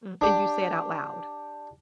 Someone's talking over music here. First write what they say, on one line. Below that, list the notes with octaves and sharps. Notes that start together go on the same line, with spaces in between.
M and you say it out loud.
D4 G4